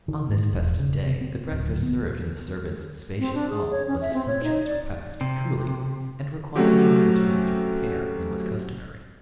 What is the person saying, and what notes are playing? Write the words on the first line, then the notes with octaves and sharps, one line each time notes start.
On this festive day the breakfast served in the servants' spacious hall was a sumptuous repast, truly, and required longer time to prepare than was customary.
D#3
G#2
E1
C#3
C3
C4
D1
B3
C4
D4
G#4
C#5
C#4
E5
C4
C#5
D#4
D5
C3
F#3 A3 C4 C#4 F#4 G4